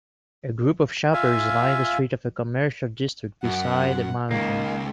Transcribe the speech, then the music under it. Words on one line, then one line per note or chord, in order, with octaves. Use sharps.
A group of shoppers line the street of a commercial district beside a mountain.
F4 E5 F5 G#5
F#2 F#5
C#2 D#3 G#3 A#3